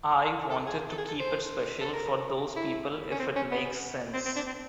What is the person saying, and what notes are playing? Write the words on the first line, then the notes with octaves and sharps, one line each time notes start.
I wanted to keep it special for those people if it makes sense.
A4
G#4
A4
G#4
A4
C5
A4
A#4
E4
C#4
C4
C#4
B3
C4
C4
D4
C4